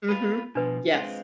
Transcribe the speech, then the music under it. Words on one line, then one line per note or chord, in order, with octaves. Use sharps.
Mhm, yes,
F4 F#4 B4
B2 F3 D4 B4
G#3 C4 F4